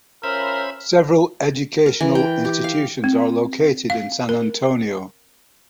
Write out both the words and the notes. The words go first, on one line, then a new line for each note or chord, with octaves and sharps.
Several educational institutions are located in San Antonio.
C#4 F4 A#4 C5 E5 B5
A#4
E3
G5
G4
F5
C4
F5
A#4